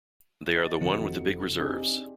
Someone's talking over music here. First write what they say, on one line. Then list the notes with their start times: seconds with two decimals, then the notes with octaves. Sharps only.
They are the one with the big reserves.
0.56 D#5 A6
0.81 F1 F2 C4 F#4 D#5 C#7
1.60 C4 D4 D#4 G4 G#4